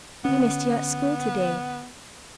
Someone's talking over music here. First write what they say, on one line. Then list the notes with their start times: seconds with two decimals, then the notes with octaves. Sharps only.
"We missed you at school to-day."
0.25 D3 B3 C#4